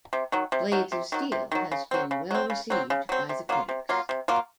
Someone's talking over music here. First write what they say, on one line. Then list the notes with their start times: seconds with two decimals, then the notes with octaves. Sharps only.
Blades of Steel has been well received by critics.
0.13 C3
0.32 D#3 F#3
0.52 C3
0.72 D#3 F#3
0.92 C3
1.12 D#3 F#3
1.32 C3
1.52 D#3 F#3
1.72 C#3
1.91 F#3 C4
2.11 C#3
2.31 F#3 C4
2.50 C#3
2.70 F#3 C4
2.90 C#3
3.09 F#3 C4
3.29 C3
3.49 F#3 A#3 F4
3.69 C3
3.89 F#3 A#3 F4
4.09 C3
4.28 F#3 A#3 F4